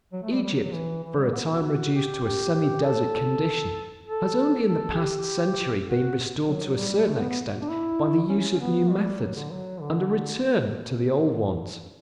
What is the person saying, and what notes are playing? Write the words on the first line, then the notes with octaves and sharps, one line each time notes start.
Egypt, for a time reduced to a semi-desert condition, has only in the past century been restored to a certain extent by the use of new methods and a return to the old ones.
F#3
A3
G3
G3
F#3
F#3
E3
E3
G3
B3
F#4
G4
G4
G4
A4
A4
A4
G4
F#4
F#3
F#3
G3
A3
B3
B3
D4
E4
C#4
C#4
C#4
B3
G3
F#3
D3
F#3
D3